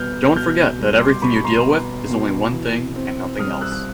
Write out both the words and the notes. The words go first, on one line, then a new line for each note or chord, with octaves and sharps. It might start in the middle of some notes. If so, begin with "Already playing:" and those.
Don't forget that everything you deal with is only one thing and nothing else.
Already playing: B2 G3 B3 F6 G6
B2 F6 G6
G3
C6 D6
B2 B5 C#6
B5
A#5 C6
B3
B2
E3
C4
G3 D#6 F6
E6 F#6
F#6